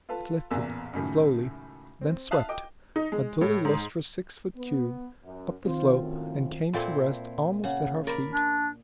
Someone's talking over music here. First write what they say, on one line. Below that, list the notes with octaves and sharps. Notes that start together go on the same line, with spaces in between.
It lifted, slowly; then swept, a dully lustrous six-foot cube, up the slope and came to rest almost at our feet.
F4 A4 B4 A5
A1 E2 A#2 A#4 E6
C#2 F#2 A2 D#3
C4
E5 F5 A5 D#6 F#6
D#5 G5 D6
D#4
G#3
A2
G#2
B3
F#2
D#3 C4 F4 C5
F#2 A2
A#2 C4 E4 A4 C6
C#3 F#5
A#4 D5 B5
D4